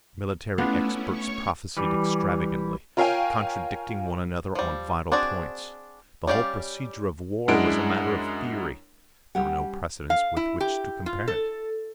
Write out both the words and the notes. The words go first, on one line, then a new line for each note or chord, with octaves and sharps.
Military experts prophesied extravagantly, contradicting one another on vital points; the whole procedure of war was a matter of theory; there were no precedents with which to compare it.
A3 B3 C#4 D4 E4 F4
C#5 C#6
E3 G3
F4 A#4 C#5 F5 G5 G#5
F3 G3
C4 D4 F#4 G#4 D5
G3 C#4 G4 D5 F5
F#2 G#3 D4 E4 F#5 D7
G3 C#4 G4 C#5 F#5
F5
E4
G4
F4
A4